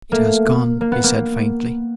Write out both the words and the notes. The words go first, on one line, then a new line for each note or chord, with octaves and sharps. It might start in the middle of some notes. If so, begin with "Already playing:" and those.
"It has gone!" he said faintly.
A3 A#3
A#3
B3
A#3